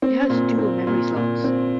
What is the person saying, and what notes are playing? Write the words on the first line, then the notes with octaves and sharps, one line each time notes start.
It has dual memory slots.
C4
A#2
C4
A#2
A#2
C4